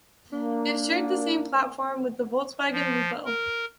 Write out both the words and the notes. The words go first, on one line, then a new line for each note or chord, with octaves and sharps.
It shared the same platform with the Volkswagen Lupo.
A#3 D4
F3
A#4